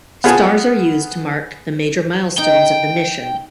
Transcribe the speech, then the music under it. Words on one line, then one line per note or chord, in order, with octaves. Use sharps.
Stars are used to mark the major milestones of the mission.
B3 F4 G#4 B4 G#5 A5
D#4 G5